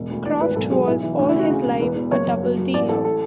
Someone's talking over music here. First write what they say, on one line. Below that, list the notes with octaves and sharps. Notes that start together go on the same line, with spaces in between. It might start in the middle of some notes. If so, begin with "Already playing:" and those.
Croft was all his life a double-dealer.
Already playing: E1
D2
E3 D5
G#1 B4
B1 A4
F#3 G#4
B1 E4
E3 E4
D2 D4
E4
C#3 F#4
C#3 G#4
E1
E2 B4
E2
F#1 C#5
F#1
F#3
F#3
A1 D5
A1 A4
A4